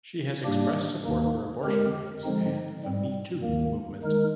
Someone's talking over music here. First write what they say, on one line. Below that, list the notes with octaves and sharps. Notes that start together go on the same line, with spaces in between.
She has expressed support for abortion rights and the Me Too movement.
G#2 G3 A#3 D4 G4
D#2 D#3 A#3 D#4
D3 G#3 C4 G4 A#4
D3 F3 G#3 C4 D#4
G#2 G3 C4
D#2 D#3 A#3
D#3 G#3 D#4 A#4